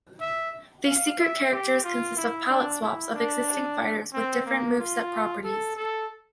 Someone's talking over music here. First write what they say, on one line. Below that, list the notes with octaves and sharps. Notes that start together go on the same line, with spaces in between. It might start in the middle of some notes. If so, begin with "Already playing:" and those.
These secret characters consist of palette swaps of existing fighters with different moveset properties.
E5
F5
E5
G4
F4
E4
D4
E4
D4
C4
A#3
F4
A4
A4